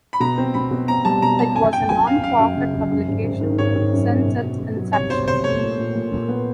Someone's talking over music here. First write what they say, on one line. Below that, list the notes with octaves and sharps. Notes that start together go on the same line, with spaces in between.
It was a nonprofit publication since its inception.
B5
B2 A#5
C4
B2 B5
B2
C4 A#5
G3 A5
B2 A#5
G3 A5
F#2 G#5
F#2 G5
F#3 G#5
F#2 F5
F#2 F5
F#2
C#3
F#2
F#2
G#1
G#1
D#3
G#1 C#5
G#1
F#2
F#2
B2
B2
B2
F#3
C2 C#5
B2 C5
C2 C5
A3 C#5
A#2
A#2
A#2
A#2
B3